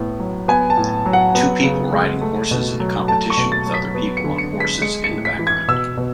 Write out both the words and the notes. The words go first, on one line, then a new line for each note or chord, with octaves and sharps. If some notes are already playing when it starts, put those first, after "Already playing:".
Two people riding horses in a competition with other people on horses in the background.
Already playing: A2 B3
F#3
B3 G#5
A5
A2
F#3
F#5
B3
C#3
G#3
A3
B2
F#3
A3 A5
C#6
B2
A6
F#3
B6
B3
C#7
D3
C#7
G#3
B6
G#3 C#7
C#7
A2
B6
E3
G#6
B2 E6
B2